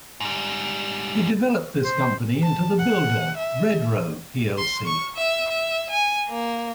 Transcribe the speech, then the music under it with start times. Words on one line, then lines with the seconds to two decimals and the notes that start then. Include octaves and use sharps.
He developed this company into the builder Redrow plc.
0.20 G#2 G3
1.84 C5
2.43 A5
2.79 F#5
3.38 E5
4.58 C6
4.87 C#6
5.16 E5
5.50 E5
5.90 G#5
6.29 A#3